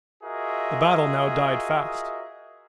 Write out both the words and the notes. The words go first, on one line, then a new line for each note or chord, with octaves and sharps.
The battle now died fast.
F4 F#4 G#4 A#4 D#5 E5